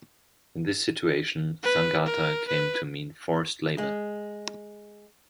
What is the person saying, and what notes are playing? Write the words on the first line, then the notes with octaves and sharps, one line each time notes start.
In this situation thangata came to mean forced labour.
B4
A#4
B4
G#3